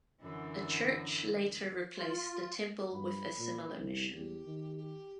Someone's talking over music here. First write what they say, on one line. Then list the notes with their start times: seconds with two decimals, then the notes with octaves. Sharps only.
A church later replaced the temple with a similar mission.
0.21 F#2 D3 E3
1.97 F4
2.93 G2 B5
3.38 A#2
3.77 C2
4.14 E2 G4
4.45 D#3
4.77 G4